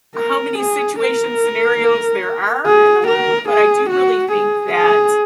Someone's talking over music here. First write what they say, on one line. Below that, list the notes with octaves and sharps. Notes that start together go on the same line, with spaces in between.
how many situation, scenarios, there are in the world, but I do really think that,
A#4
G#4
A#4
G#4
A#4
G#4
F#4
G#4
G#4